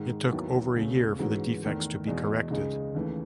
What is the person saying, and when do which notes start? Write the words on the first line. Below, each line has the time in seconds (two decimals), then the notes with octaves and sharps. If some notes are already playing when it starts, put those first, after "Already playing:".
It took over a year for the defects to be corrected.
Already playing: G#2 D#3 G#3
0.31 D#2 D#3 F#3 B3 E4
0.76 C#2 B2 A3 C#4 G#4
1.19 G#2 E3 G#3 C#4 F#4
1.63 E2 D#3 A3
2.07 E2 B2 G#3 D#4 G#4
2.50 C#2 C#3 G#3 D#4 G#4
2.94 D#2 C#3 E3 A3